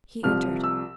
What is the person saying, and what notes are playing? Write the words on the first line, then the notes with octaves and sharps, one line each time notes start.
He entered.
C2 C3 F3 F6
E6